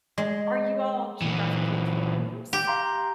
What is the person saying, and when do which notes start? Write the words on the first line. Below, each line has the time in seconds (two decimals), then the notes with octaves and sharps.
Are you all geographically close?
0.18 G#3
1.22 A#2 E3
2.53 G4
2.67 F5 A#5 C6